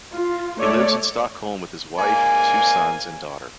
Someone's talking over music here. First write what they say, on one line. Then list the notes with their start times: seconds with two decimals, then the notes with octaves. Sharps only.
He lives in Stockholm with his wife, two sons and daughter.
0.11 F4
0.58 A3 C#5 D5
1.98 G#2 A#3 D5 G#5